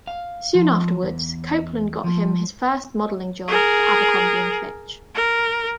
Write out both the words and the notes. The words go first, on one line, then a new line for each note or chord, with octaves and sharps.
Soon afterwards, Copeland got him his first modeling job for Abercrombie and Fitch.
F5
F3
E2
F3
G#4 A#4
A#4